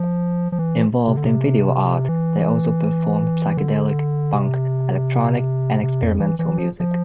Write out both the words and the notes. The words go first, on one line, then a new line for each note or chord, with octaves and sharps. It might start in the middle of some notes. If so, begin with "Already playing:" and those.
Involved in video art, they also performed psychedelic, punk, electronic and experimental music.
Already playing: F3
F3
E3
C3
D3
C3
E3
D3
C3
C3
F2
E3
E3
F3
F3